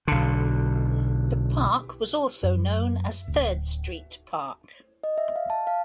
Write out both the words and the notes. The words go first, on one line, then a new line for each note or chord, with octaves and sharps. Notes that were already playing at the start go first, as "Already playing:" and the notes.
The park was also known as Third Street Park.
B1 D3
F#2
D1
D#5
E5
F5
A5
F5